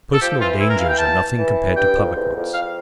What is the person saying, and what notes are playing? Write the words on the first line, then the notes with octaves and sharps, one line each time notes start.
Personal dangers are nothing compared to public ones.
A4
F3 G4
E3 F4
E4
A#4
F5
G5
A5
E3
G2 G5
F2
E2
F2
F5